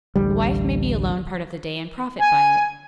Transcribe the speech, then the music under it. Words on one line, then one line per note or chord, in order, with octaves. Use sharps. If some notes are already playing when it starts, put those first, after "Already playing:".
The wife may be alone part of the day and profit by it.
A1 D2 G3
G#5